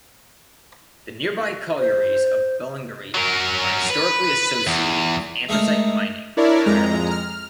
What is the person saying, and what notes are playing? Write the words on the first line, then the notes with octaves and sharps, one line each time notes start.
The nearby collieries of Ballingarry are historically associated with anthracite mining in Ireland.
C5
F#3 A#4
B4
E2
G#3 A3 D#4 A#4
D4 E4 A#4 C#5 D5
F2 G#3 A#5
F6